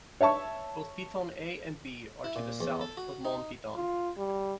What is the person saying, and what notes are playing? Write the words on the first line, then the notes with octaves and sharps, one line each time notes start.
Both Piton A and B are to the south of Mons Piton.
C#5 E5 A5 C#6
E4
A#2
E2
A4
F#4
D#4
F4
G3